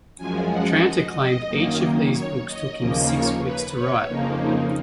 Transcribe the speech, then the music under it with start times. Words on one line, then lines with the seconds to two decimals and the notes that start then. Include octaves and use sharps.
Tranter claimed each of these books took him six weeks to write.
0.18 F#2 F3 G#3 G#5
0.50 F#5
0.83 D#5
1.16 D#5
1.48 F#2 D#3 A#3
2.13 C#5
2.46 D#5
2.78 D#2 C#3 F3 A#3
3.11 C#5
3.43 B4
3.75 C#5
4.08 F2 C#3 F3 A#3 D#4
4.41 D#4